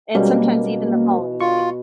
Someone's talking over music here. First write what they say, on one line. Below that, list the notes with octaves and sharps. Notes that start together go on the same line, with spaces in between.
and sometimes even the following day.
B2 G3 G#3 A#3 C#4
F4 C#6